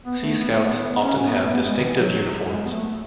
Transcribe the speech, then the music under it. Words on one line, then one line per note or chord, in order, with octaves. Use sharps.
Sea Scouts often have distinctive uniforms.
B3
A3
B3
A3
B3
C#4
C#4
B3
A3
B3
G#3
D#3
E3
G#3
F#3
G#3
B3
A3